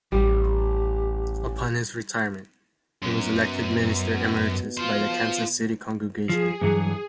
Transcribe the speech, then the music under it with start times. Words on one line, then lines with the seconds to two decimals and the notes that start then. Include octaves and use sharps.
Upon his retirement, he was elected Minister Emeritus by the Kansas City congregation.
0.12 A1 G3 G4
3.02 F#2 B2
4.78 F4 C5
6.29 F3 G#4
6.61 G2 E3 F#3